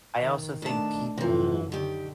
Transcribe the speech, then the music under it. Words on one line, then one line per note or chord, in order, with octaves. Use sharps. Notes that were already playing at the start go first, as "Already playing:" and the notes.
I also think people,
D#3
D#3 A3 D4 A5
F#2 C3 E3 F3
D3 D#3 G4